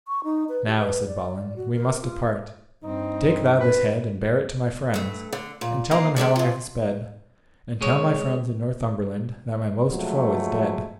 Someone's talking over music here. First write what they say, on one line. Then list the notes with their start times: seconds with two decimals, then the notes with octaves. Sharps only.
Now, said Balin, we must depart, take thou this head and bear it to my friends, and tell them how I have sped, and tell my friends in Northumberland that my most foe is dead.
0.08 C#6
0.24 D#4
0.49 B4
0.66 G4
0.79 B4
1.07 D5
1.56 F#4
1.73 A#4
2.02 F4
2.83 G2 C4 D#4
3.60 B4
4.94 G2 A3
5.33 D3
5.61 A#2
5.91 A#3 D4 D#5 F5
6.16 G#3 A3 D4 D5
6.36 A#2 F3
7.81 C2 G#3 C#5
9.90 F3 F#3 G#3 A3